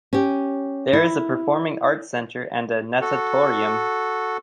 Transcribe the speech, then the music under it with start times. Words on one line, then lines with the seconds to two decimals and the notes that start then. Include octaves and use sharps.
There is a Performing Arts Center and a Natatorium.
0.13 C#4 G4
0.93 E4
3.01 F#4 A4